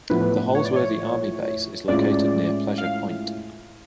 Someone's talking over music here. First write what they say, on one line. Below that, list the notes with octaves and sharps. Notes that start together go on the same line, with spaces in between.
The Holsworthy Army Base is located near Pleasure Point.
A2 F3 B3 B4
C#5
D5
C#5
A2 G#3 C#4 F4 D5
F5